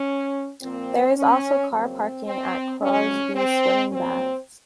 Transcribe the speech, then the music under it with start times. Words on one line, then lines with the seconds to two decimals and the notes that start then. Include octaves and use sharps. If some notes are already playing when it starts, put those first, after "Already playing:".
There is also car parking at Crosby Swimming Baths.
Already playing: C#4
0.62 A#2 F3 A#3 C4
1.16 C#4
1.71 F2 C#3 F#3 A#3 C4
2.26 C4
2.80 F2 C#3 F#3 C#4
3.35 C4
3.90 A#2 F#3 A#3 C4